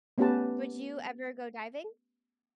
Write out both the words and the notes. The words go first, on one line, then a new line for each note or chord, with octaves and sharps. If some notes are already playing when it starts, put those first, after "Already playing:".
Would you ever go diving?
A3 B3 C#4 G4 B4 A5